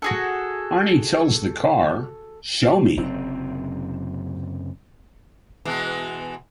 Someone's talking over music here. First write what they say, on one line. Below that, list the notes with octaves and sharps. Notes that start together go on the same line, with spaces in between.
Arnie tells the car, Show me.
F#4 G#4 A4
F#1 F#2 C3 C4
B2 E3 G#3